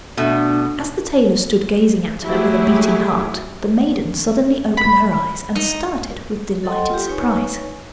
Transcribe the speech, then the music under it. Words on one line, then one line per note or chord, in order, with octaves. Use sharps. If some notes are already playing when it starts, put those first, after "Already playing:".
As the tailor stood gazing at her with a beating heart, the maiden suddenly opened her eyes, and started with delighted surprise.
B2 A3 D4
F#3 A3 E4 G4 G#4
B5
D#4
A4 D#5 F#5 G5 C6
F4 G4
D#4 B4 C#5 G#5 C#6